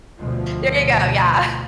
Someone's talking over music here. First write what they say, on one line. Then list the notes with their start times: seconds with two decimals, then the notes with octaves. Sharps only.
There you go, yeah.
0.19 D2 B2 F3